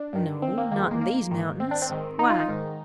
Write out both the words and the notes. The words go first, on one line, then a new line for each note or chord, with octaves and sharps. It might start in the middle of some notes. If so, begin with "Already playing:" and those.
"No--not in THESE mountains--why?"
Already playing: D4
G2 D#3
C4
A#3
F2 D#3 A#3
G#3
A#3
A#3
G#2 D#3
C4
D4
C4
G#2 D#3
D#4
F4
D#4
G#2 D#3